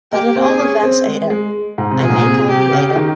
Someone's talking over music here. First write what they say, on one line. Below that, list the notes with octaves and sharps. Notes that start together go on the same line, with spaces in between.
But at all events, Ada — I may call you Ada?
A#3 G4
C4
G#4
C#4
C4
G#3
G#3
G#2
C3
A#2 G#4
G#2
A#2
C3
C3 G4
C#3
D#3